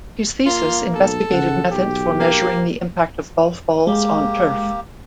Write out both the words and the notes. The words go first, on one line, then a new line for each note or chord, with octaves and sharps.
His thesis investigated methods for measuring the impact of golf balls on turf.
A#3 F4
B1 A4
C#3 F#5
B1 G4
A#3
G#3 A#3 G4